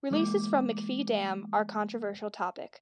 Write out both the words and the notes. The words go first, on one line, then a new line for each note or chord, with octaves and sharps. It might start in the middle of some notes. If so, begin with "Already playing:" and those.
Releases from McPhee Dam are a controversial topic.
E3 G#3 A#3 D6